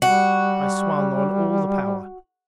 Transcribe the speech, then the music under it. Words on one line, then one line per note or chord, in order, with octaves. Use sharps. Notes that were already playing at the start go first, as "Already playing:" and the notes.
I swung on all the power.
G3 F#4